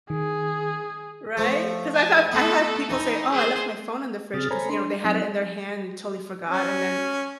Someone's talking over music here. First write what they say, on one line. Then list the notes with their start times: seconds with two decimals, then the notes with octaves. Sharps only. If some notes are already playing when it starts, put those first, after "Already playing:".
Right? 'Cause I've have I've had people say, "Oh, I left my phone in the fridge," 'cause, you know, they had it in their hand and totally forgot, and then
0.10 D#3 G#4
1.37 F3 A3
1.95 G#5 A5
2.32 A3 B3 A4
2.90 E3 D#4
3.32 G#4 C5
4.34 C#3 C4 G#4 D#6 F6 A6
4.51 A4 C5 C#5 G#5 A#5 B5
4.69 D4 C6
5.04 F#3 C4 D#4
6.50 C#4